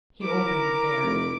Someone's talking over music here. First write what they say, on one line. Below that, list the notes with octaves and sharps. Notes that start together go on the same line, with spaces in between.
He opened it there.
E4 A#4 D6
F1